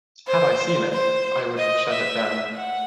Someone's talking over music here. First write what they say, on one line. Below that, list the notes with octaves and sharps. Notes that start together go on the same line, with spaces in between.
Had I seen it, I would have shut it down.
C5
C5
D#5
E5
F#5